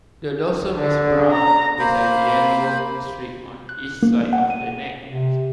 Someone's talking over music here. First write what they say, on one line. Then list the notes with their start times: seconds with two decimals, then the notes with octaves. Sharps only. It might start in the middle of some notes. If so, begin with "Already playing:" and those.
The dorsum is brown, with a yellow streak on each side of the neck.
0.74 D3
1.32 A#5
1.79 A#3 C5 B5
3.69 F#6
4.03 A#3
4.33 F#5
4.50 D#7
5.06 C3